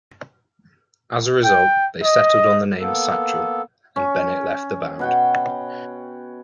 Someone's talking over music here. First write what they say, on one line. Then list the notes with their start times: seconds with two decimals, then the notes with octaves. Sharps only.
As a result, they settled on the name Satchel, and Bennett left the band.
1.45 G5
2.03 D#5
2.77 A#3 B3 A4
3.96 C#4 C#6
4.99 B2 F#5 G5